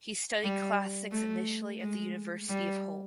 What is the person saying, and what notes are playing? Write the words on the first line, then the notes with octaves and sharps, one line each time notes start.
He studied Classics initially at the University of Hull.
G3
A3
G#3
G3